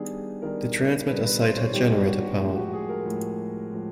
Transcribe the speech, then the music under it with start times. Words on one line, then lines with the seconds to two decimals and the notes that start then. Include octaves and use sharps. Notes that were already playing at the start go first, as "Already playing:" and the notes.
The transmitter site had generator power.
Already playing: D#3 G3 B3 D4 G#4
0.42 D#3 G3 B3 D4 A#4
1.08 D#3 G3 B3 D4 B4
1.25 B4
1.41 C5
1.57 C#5
1.73 D#3 G3 B3 D4 G4
1.90 F#4
2.07 F#4
2.23 F#4
2.40 A2 F3 G#3 G4
2.56 F#4
2.73 G#4
2.89 A#4
3.05 A2 F3 G#3
3.71 A2 F3 G#3